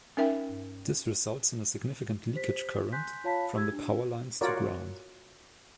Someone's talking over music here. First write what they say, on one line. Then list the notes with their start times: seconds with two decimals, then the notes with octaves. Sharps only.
This results in a significant leakage current from the power lines to ground.
0.17 C#4 D#4 A#4 E5 G5
2.35 G4 C5 B6
2.92 G#5 C6 F#6 G6 B6
3.24 F4 C#5 F5 A5 B5 B6
3.54 G4 E6 G#6
3.72 D4
4.41 F4 F#4 A#4 C#5 D5